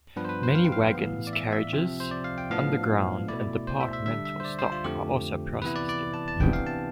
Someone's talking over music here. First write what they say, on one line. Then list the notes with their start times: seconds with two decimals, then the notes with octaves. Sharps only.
Many wagons, carriages, underground and departmental stock are also processed here.
0.16 G2 F3 B3 D4 B4
0.25 C5
0.29 B4
0.43 C5
0.55 F5
0.64 G5
0.72 F5
0.95 A2 E3 B3
1.27 D5
1.33 E5
1.52 E5
1.73 C3 F3 C4
2.00 C5
2.11 D5
2.24 F5
2.38 G5
2.50 A2 F3 B3 D4 F5
3.28 B2 A3 E4 D5
3.67 C5
3.81 E5
3.93 E5
4.06 D3 G3 D4 E5
4.25 E5
4.40 C5
4.45 D5
4.59 C5
4.72 F4
4.84 F2 D3 F3 A3 G4
5.62 C3 E3 B3 E4 B4
5.75 D5
5.89 D5
6.14 A5
6.28 A5
6.40 C3 E3 B3 D4 G5
6.53 F5
6.67 A5